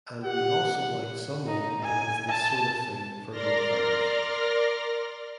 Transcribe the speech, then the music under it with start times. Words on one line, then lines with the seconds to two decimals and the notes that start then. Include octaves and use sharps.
And we also liked someone who has this sort of thing for gunfighters.
0.24 G4 F#5
1.47 D#4
1.82 G#5
2.29 A5
3.31 A#4 D5 C6 F6 A#6